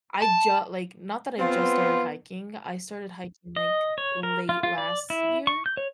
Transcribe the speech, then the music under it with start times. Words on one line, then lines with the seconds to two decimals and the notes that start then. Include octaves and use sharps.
I ju like, not that I just started hiking, I started hiking like, late last year,
0.22 A5
1.39 C#3 F3 B3 C4 F4
3.56 D#5
3.98 C#5
4.23 A#4
4.49 F4
4.63 F4
4.78 D5
5.10 E4
5.47 C#6
5.66 G6
5.77 C#5